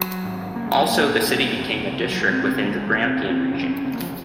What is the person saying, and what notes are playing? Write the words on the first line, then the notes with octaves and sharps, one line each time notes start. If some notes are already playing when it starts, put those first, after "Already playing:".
Also, the city became a district within the Grampian region.
Already playing: F#3
G#1 G#2
F#1 F#2 C#3 A#3
G#3
F#3
A#1 G#2 A#3
C2 C3
F#1 F2 C3
C#2 C3
F3
F#3
C2 A#2 G#3
C4
C4
C#2 C#3 C4
A#3
G#3
F1 F2 C3 A#3
C4
F1 D#2 C#3
C4
C4
G#1 F#2 C#3 C#4
C4
C#4
F1 D#2 C#3 A#3 C4
F3